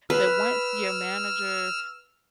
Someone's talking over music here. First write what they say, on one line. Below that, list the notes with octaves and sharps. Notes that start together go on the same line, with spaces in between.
but once your manager
B4 E6 F6